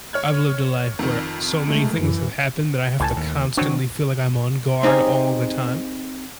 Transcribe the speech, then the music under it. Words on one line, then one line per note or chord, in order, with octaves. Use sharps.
I've lived a life where so many things have happened that I have to constantly feel like I'm on guard all the time
C#5 F6 G#6
F2 D#3
G#3 A3
F#2 E3
C#2 A2 G#5 A5
D#2
D#3 F#3 C4 D4 C#5
C4 D#4 G4 G#4